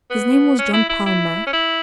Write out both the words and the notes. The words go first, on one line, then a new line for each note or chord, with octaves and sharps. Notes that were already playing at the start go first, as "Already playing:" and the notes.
His name was John Palmer.
B3
C#4
E4
E4
E4
C#4
E4